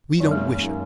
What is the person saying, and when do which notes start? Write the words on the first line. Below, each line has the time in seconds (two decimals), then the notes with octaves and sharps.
We don't wish it.
0.18 F#2 D#3 F#3 A#3
0.31 G#3
0.59 F#2 D#3 A#3